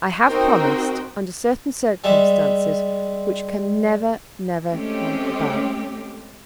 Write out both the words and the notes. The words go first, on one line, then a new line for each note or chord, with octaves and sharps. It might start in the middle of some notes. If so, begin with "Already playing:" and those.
"I have promised under certain circumstances which can never, never come about."
C4 D#4 F#4 A#4 C5 G5
G3 G#3 E5
G#3 A3 C4 C#4 G4